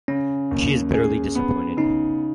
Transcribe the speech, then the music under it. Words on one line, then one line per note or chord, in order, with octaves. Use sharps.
She is bitterly disappointed.
C#3 C#4
D#2
G#4
B3
C#3 D#4